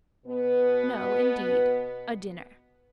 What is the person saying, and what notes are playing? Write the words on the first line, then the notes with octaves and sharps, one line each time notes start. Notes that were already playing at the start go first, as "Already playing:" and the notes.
No, indeed--a dinner.
B2 B3